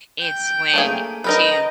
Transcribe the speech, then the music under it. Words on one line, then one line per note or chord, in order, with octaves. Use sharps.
It's when to
G5
A3 A#3 G#4
D#4 A#4 B4 D#5 G5